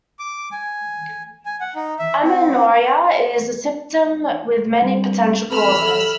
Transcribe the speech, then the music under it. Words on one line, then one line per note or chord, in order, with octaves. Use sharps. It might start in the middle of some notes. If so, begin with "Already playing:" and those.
Amenorrhoea is a symptom with many potential causes.
D6
G#5
G#5
F#5
D#4
E5
C4
G3 C4 D4
C4 A4 B4 B5 E6 F6
A4 E5